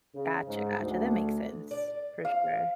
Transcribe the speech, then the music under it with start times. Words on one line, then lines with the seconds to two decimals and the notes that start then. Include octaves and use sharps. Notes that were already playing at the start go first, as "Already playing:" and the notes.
Gotcha, gotcha, that makes sense, for sure.
0.13 C#3
0.47 G#2
0.81 D2
1.71 D5
2.25 F5